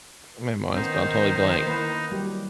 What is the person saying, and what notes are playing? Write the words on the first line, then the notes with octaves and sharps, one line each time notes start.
my mind's gone totally blank.
D#3 B3 C#4 D#4 C5
E3 A#3 B4
F#3 G3 G4